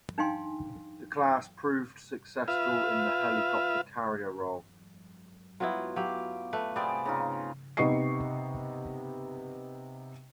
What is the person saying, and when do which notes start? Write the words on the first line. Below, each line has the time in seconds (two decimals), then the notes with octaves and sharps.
The class proved successful in the helicopter carrier role.
0.18 D4 D#4 F5 G5 G#5 C6
2.48 F4 B4 E5 F5
5.60 F#3 B3 E4 F4
5.96 F#3 G4 F5 D6
6.53 A3 B4
6.76 G3 B3 C4 G#4 D5
7.05 C#3 D#4 F4
7.77 C3 B3 D#4 D#5 C#6 C7